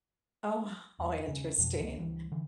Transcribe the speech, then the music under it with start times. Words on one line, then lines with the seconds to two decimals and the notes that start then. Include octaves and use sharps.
Oh, how interesting
0.99 E1 E2
1.27 D#2 C#3
1.58 F2 B2 F3
1.80 C#2 D#3 F3 A#3
1.98 C#2 E3 G3
2.32 D3 E3